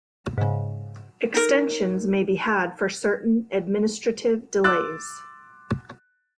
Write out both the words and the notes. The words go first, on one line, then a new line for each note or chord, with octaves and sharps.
Extensions may be had for certain administrative delays.
G#2 C#3
D#4 A#4
C6 D6 E6 F#6 A6